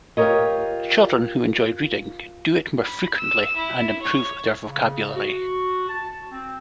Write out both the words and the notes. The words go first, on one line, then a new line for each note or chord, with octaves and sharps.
Children who enjoy reading do it more frequently and improve their vocabulary.
F4 G4 G#4 A#4 C#5 D#5
B5
E6
E4
C#5
C#3
F#4
A5
C4